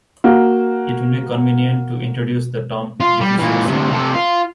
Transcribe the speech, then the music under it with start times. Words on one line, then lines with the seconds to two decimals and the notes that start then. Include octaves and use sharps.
It will be convenient to introduce the term deficiency.
0.24 A#3 F#4
3.00 F4
3.21 G3
3.38 A#2 E3
3.67 D2 C3
3.91 C3 A4
4.13 F4